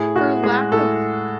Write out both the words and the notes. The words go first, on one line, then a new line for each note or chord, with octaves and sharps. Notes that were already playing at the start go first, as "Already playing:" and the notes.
for lack of
Already playing: A2 G#4
A2 F#4
G#3 G#4
A2 A4